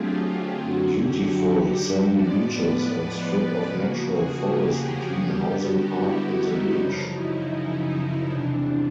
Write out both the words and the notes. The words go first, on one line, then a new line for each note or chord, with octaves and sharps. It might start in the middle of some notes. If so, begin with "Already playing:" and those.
Beautiful sandy beaches and strip of natural forest between housing part and the beach.
Already playing: D3 F#3 A3 C4 F4 G4 G#4
F4
F#2 D3 F#3 F#4
G4
G4
A2 F3 G#3 B3 D5
B4
C#3 F3 A#3 F#4
G#4
G4
G4
D3 G3 B3 G4
F#4
E4
D#4
F#2 C#3 F3 D#4
E4
D#4
D#4
E2 C3 E3 D4